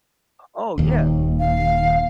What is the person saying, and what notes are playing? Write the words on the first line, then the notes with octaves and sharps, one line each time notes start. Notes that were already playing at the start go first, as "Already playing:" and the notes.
Oh, yeah.
D#1 D#2
F5